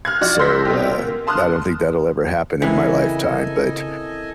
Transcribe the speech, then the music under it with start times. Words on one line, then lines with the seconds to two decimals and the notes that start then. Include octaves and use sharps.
So, uh, I don't think that'll ever happen in my lifetime, but
0.05 F6 F#6 G#6
0.21 F3 F#4 D5
0.39 C6 E6 G6 A#6 B6
0.65 B2 C4 G4
0.92 A#3
1.27 A5 C6 D#6 F6 F#6
2.62 C#3 E3 C4 E4 A4 A#4 D#5 G#5